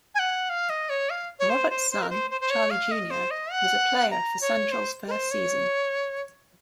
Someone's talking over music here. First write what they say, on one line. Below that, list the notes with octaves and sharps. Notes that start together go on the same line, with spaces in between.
Roberts' son, Charlie Junior was a player for Central's first season.
G#5
F#5
F5
D#5
C#5
F5
C#5
C5
C5
C5
A#4
C5
C5
C5
C#5
F5
D#5
C5
D#5
F#5
A#5
C#5
C5
A#4
C5
C#5